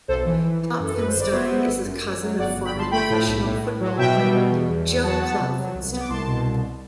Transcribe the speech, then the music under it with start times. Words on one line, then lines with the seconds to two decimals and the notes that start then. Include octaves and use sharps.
Klopfenstein is a cousin of former professional football player Joe Klopfenstein.
0.08 B1 A4 C5
0.26 E3
0.44 E3
0.62 E3
0.80 F#2 A4
0.94 F#2 B4
1.07 C5
1.15 G1
1.20 D5
1.32 B3 C5 E5
1.50 B3
1.67 G1
1.85 F#2
2.04 F#2
2.21 F#3
2.38 G1 D5 F#5
2.55 G1
2.65 G5 B5
2.74 G1 A5 C6
2.91 A3 G5 B5
3.10 A2
3.27 B1
3.45 A2
3.62 A2
3.80 F#3
3.97 B2 E5 G5
4.15 G3
4.33 B2
4.50 E2
4.68 E2
4.85 E2
5.03 F#3 F#5 A5
5.22 B3
5.40 C3
5.57 F#3
5.75 C2
5.92 B3
6.00 D6
6.09 C2 A5 C6
6.27 B2
6.46 C2